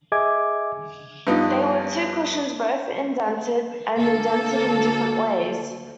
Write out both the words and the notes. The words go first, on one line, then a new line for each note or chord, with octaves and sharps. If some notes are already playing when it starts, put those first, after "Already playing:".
They were two cushions, both indented, and indented in different ways.
G#4 D#5 E5 G#5 D6 G#6
G2 F3 B3 D#4
D2 A#3 A4